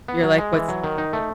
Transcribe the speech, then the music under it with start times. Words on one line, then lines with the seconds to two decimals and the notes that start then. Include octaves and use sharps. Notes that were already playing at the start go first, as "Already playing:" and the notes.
You're like, "What's
0.08 B3
0.23 F#3
0.38 G#3
0.53 E3
0.69 F#3
0.84 D#3
0.98 D#4
1.13 A3